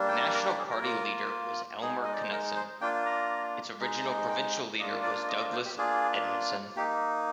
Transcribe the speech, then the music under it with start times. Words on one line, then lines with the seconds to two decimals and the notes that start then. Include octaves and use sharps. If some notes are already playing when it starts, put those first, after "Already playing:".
The national party leader was Elmer Knutson; its original provincial leader was Douglas Edmondson.
Already playing: G3 A#3 D4
0.09 G5
0.34 A#4
0.46 G4
0.58 G#4
0.70 A#4
0.83 A#3 F4
1.82 G#3 D#4 G#4
2.04 D#5
2.13 D5
2.22 C5
2.31 A#4
2.56 C5
2.80 A#3 D4 F4 G5
3.06 A#5
3.79 G#3 D#4
4.29 G5
4.54 G5
4.79 A#3 D4 F4 D#5
5.03 D5
5.28 D#5
5.41 D#5
5.52 C5
5.65 G4
5.78 A#3 D4 F4 G#4
6.76 A#3 D#4 G4